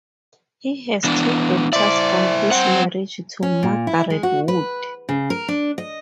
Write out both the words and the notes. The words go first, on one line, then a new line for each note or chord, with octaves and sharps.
He has two daughters from his marriage to Margaret Wood.
E3 B3 D4
E4 C5 D5
G3 C4 F#5
C#4
A#2
E4
G#3
F#4
B4
C#3
A#4
D4
D#5